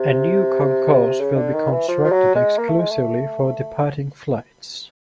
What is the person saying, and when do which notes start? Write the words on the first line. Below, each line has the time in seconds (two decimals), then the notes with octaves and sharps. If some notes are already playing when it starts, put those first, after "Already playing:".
A new concourse will be constructed exclusively for departing flights.
Already playing: C3
1.20 C#3
1.36 D3
1.54 D#3
1.71 E3
1.88 F3
2.04 F3
2.12 F#3
2.35 G#3
2.58 A#3
2.68 A3
2.80 G#3
2.91 A3